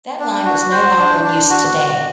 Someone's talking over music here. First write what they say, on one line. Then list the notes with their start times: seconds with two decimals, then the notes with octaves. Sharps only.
That line is no longer in use today.
0.20 D4
0.45 F#4
0.71 C5
0.98 D4
1.24 D4
1.50 F#4